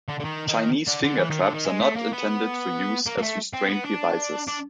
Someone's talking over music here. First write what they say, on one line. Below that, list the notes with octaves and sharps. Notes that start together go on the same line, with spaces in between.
Chinese finger traps are not intended for use as restraint devices.
D3
D3
D#3
D#3
D3
D3
E3
D#3
D3
D#3
G#3
A3
A#3
B3
A#3
A#3
A3
C4
B3
D4
D4